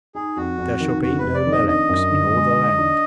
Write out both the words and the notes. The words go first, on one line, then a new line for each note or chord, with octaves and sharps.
There shall be no Meleks in all the land.
D#4 G#4
F2 F#4
F2
D#3
F1 F#4
F1 B4
D5
D#3
D#5
D4 D#5
F#2
D3
G#3
D3
D4